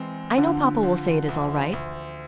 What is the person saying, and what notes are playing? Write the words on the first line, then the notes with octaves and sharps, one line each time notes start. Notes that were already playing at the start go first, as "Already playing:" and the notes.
I know Papa will say it is all right.
Already playing: E2 G#3 C4
D3 F3
F3
D2
D2